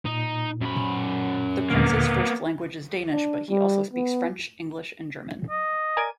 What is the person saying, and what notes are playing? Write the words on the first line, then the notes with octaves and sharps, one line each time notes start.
The Prince's first language is Danish, but he also speaks French, English and German.
A#2 D#4
F#2 B5
D#2 A#2 D3 A#3 B3
D4
G3
B3
D#5
A#4 D5 G#5